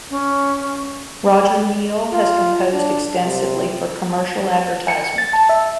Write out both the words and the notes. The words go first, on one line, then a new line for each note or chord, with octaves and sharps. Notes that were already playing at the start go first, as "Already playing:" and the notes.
Roger Neill has composed extensively for commercial advertisement.
C#4
F4
D4
C3
C#7
A6
A5
E5